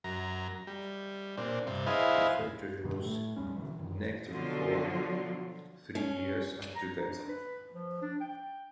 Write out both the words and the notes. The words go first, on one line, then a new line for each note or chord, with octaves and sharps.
The factory was inactive for three years after that.
F#2 A#5
G3
A#2 C4 D4
G2 C3
E4 G#4 B4 C5 D#5 F5
E2 G2 B2 D#3
A2 A3
E2 G3 C#4
B2 D3 E3
F#2 D#3
B2 D3 F3 F#3 F4 F#4
C#4
A#5
D4
B4
F3
D4
G5